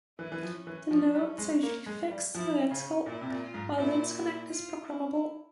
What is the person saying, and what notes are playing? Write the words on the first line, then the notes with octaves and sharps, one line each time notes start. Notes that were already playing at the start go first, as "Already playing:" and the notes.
The nodes are usually fixed and identical, while the interconnect is programmable.
E3 E4
E3
F3
C#4
E3
F3
G3
G#3
A#3
G#3
G3
F3 E4
C#3 C#4
A#2 E4
C3
A#2
F4
G#2
A#2 E4
E4
F4
E4